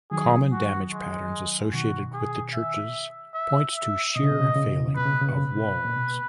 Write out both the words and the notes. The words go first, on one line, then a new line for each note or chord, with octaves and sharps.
Common damage patterns associated with the churches points to shear failing of walls.
D#3 F#3 G#4
F#4
G#3
B2 D#3 F#4
G#4
E5
E5
E5
B2 D#5
C#3
B2
C#3
B2
C#3
B2
C#3
B2
C#3
B2 B4
C#3
B2
C#3
B2
C#3 B4
B2
A#2
B2